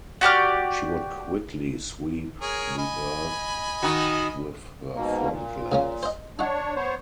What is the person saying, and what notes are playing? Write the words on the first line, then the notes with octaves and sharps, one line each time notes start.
She would quickly sweep the earth with her front legs.
F#4 G4 D5 F6
G#4 A#4 C#5
D#5 G#5 B5
D#3 D#4 F#4
G#2 B2 A#3
A#2
C#3 A#3 C#4
C5 D#5
D4 D#4 C#5 F#5
B3 C5 C#5